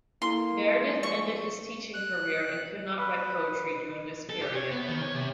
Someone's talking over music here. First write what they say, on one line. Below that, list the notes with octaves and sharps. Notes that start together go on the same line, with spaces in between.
Meredith ended his teaching career and could not write poetry during this period.
A#3 E4 A4 C6
F3 G3 G#3
C#6
F#6
B4
A4
G4
C#5
B3
D#3
C#5
C3